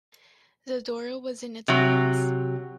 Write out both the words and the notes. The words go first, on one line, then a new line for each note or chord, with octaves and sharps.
Zadora was in attendance.
C3 F#3